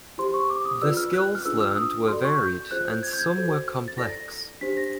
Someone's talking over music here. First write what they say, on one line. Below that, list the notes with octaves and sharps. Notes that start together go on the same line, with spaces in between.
The skills learned were varied, and some were complex.
E4 G4 C5 C6
C#6
D6
D#6
F4 G#4 B4 D5 E6
F6
F#6
F6
D4 F4 G#4 B4 E6
E6
D#6
F#4 A4 D5 C6
C#6
G6
F4 G#4 C5 F#6
G6
G#6
G6
G#6
F#4 A4 C5
A6
E4 A4 D5 A#6
D4 G4 C5 B6
A#6